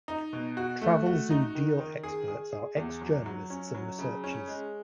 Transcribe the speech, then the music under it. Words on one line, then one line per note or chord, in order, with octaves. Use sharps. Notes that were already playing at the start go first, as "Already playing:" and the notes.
Travelzoo Deal Experts are ex-journalists and researchers.
D#4
B2
F#4
A3
F#4
D#4
D#3
D#3
G#4
G#4
G#4
E2
F#3
F#3
C#4
F#3
C#3
C#4
G#3